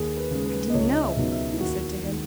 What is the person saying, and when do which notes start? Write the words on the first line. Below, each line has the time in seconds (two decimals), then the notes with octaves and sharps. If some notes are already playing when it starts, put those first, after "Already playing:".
"I didn't know," I said to him.
Already playing: D#2 G#4
0.17 B4
0.31 C#3 G#3
0.46 B4
0.70 D#5
0.74 C#2 C#5
0.92 D#5
1.03 E5
1.17 B2 F#3 B3 D#4
1.32 E5
1.52 E4
1.60 D#2 F#4
2.04 D#3 G#3